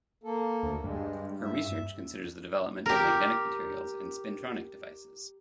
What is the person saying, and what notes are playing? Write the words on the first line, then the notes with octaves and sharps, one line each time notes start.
Her research considers the development of magnetic materials and spintronic devices.
A#3 A4
D2
G2 G#3
E5
G4 A#4